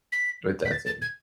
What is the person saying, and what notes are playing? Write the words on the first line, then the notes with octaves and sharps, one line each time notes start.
with that thing.
B6
B6
A6
A6
G#6